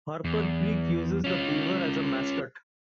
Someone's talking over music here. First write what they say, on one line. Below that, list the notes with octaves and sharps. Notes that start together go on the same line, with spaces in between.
Harper Creek uses the Beaver as a mascot.
E2
C#4 F4